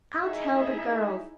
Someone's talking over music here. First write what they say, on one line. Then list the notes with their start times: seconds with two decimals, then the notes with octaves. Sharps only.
I'll tell the girls.
0.21 D#4 E4 G#4 E5